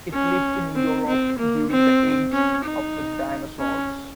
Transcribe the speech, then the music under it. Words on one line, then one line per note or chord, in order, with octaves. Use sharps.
It lived in Europe during the age of the dinosaurs.
C#4
C4
C4
A#3
C4
C#4
D#4
C#4